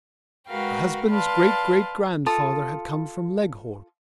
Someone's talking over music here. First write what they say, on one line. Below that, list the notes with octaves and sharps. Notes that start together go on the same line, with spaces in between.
Her husband's great-great-grandfather had come from Leghorn.
G#3 F#4 A#4 B4 F5 G5
B4 D5 F5 A5 C6
F4 A4 A5 D#6